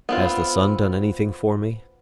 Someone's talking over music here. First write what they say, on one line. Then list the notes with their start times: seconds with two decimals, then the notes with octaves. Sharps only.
Has the sun done anything for me?
0.09 B3 C4 F4